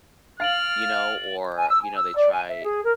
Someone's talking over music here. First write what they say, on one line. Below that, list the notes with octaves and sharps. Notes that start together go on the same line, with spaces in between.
you know or, you know, they try,
F5 F6 A6 D7 F#7
G#5
E6
G#5
E6
D5
G#5
E5
G#4
A#4